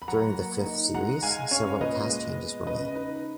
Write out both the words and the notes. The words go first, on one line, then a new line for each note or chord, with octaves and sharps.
During the fifth series, several cast changes were made.
B5
F#3 F#5 A#5
A#3
D#4
G#3 F#5 A#5
G#3 F5 G#5
C#4 C#5 F5
A#2 B4 D#5
G#3
B3
C#3 B4 D#5
D#4 B4